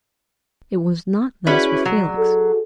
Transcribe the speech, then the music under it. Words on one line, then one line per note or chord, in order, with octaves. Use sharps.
It was not thus with Felix.
C#4 E4 F#4 G#4 B4 D5
F#3
A4